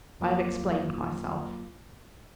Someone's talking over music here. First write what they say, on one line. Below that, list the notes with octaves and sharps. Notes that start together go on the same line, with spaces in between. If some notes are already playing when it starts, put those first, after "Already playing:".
I have explained myself.
F2 F#3 A#3 F4 D6